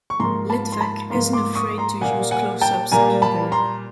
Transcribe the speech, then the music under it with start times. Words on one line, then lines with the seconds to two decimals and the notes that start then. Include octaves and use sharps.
Litvak isn't afraid to use close-ups either.
0.10 C#6
0.20 G#2 F3 A#3 A#5 C6
0.50 A5 B5
0.72 C6
0.81 A5 B5
1.10 G#2 F3 A#3 A#5 C6
1.33 C6 D6
1.55 C#6 D#6
1.78 A#5 C6
2.01 A#2 G3 A#3 F#5 G#5
2.31 F#5 G#5
2.61 G5 A5
2.92 A#2 G3 A#3 G#5 A#5
3.22 A5 B5
3.52 A#5 C6